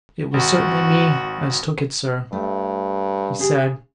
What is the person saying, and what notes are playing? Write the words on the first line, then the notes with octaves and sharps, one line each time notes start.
"It was cert'nly me as took it, sir," he said.
G#1 F#4
G2 A3
C#3 G4 G#4